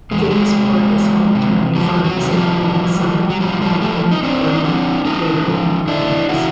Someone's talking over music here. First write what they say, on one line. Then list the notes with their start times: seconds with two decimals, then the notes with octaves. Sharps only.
Jamesport is home to many farms including sod, pumpkin, flower, potato and wineries.
0.11 E2 G#3
0.21 A3
0.31 F#3 G#3
0.52 D#3
0.56 C3
0.94 E2
1.35 C3 D#3
1.75 E2 F3 G3
2.04 F#3
2.17 C3 D#3
2.31 F3 G3
2.59 A2
3.00 F3
3.30 F#3
3.40 A2 F3 G3
3.62 F3 G3
3.81 F3 G3 A3
4.11 D#4
4.23 A2 C4 D4
4.55 D#4
4.64 F3 C4 D4
5.05 A2 C#4 D#4
5.47 F3
5.87 F#2 D4 E4
6.29 C#3 E3 E4 F#4